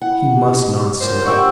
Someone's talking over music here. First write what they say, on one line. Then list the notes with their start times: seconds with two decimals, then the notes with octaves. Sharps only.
He must not slip.
0.02 E4 F#5
0.34 G4
1.01 A#2 C#3 C5
1.26 G4 E5 F#5 C#6